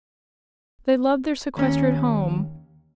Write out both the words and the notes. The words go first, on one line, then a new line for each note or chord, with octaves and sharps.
They loved their sequestered home.
D#2 C#4